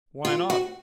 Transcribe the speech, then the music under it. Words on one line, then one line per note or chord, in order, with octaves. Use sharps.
"Why not?"
F4
F#4